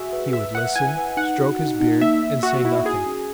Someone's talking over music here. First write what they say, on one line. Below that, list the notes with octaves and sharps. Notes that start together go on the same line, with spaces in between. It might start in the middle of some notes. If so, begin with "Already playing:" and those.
He would listen, stroke his beard, and say nothing.
Already playing: F#4 G#4 E5
B4
B4 E5
B4 F#5
E4 G#5
B4
D#4 F#5
F#4
D#4
D#4
A#3 E5
A#3
A#3 F#4
D#4 E4
F#4 G#4
C#4